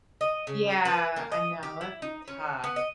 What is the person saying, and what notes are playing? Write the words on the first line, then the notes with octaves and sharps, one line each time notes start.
Yeah, I know, that's tough.
D#5
C#3
B4
A#3
D#5
G4
E4
D#4
C#4
B3
D#5